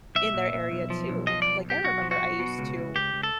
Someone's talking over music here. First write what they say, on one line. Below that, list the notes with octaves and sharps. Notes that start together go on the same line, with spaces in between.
in their area too, 'cause, like, I remember I used to
B1 E5
A#2
A#2
B1
F3
B1
F3 D#5
B1 D5
B1
G4
B1 F#4
F3
F#4
B1
B2
C#2
C#2
C#2 G4
C#2
A4